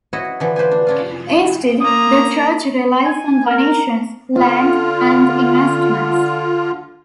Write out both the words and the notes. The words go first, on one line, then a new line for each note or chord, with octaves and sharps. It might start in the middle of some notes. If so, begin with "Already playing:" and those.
Instead, the Church relies on donations, land and investments.
E4 F#4 C#5 D#5
D3 E3 F3
B4 C5 D5 G5 G#5
D4
C#4 D4 F4
E4
A#3 A#5 D#6
G#5
A#4
D3 F4